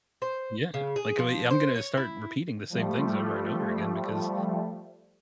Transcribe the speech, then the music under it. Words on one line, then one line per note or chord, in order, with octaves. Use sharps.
Yeah. Like, uh, I'm gonna start repeating the same things over and over again because
C5
C#3
G#4
F3
C5
C#5
E4
F3 G3 A3